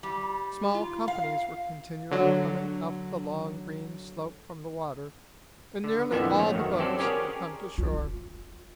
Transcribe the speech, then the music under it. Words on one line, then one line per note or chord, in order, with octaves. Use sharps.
Small companies were continually coming up the long green slope from the water, and nearly all the boats had come to shore.
G3
F4
F5
D3 F#3
D3
F2 A#2 D3 E3 B3 E5
A#1 G2 A3 C#5
F#2 D#3
F#3 C4 G4 A4 C5 D5
C#4 G4 G#4 A#4 C#5 D5
F4